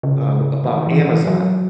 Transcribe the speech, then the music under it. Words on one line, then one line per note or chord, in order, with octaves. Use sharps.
uh, about Amazon.
C#3
D#3
E3
E3
F#3